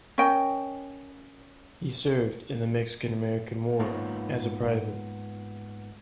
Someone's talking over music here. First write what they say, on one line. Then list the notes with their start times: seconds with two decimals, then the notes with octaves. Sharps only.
He served in the Mexican-American War as a private.
0.18 C#4 A#4 D#5 G5
3.79 G#2 A#3 B3 D#4 F4 C#5